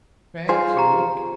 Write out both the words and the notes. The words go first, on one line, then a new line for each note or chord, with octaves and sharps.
Fancy walking!
F4 G#4 C5
G4 A#5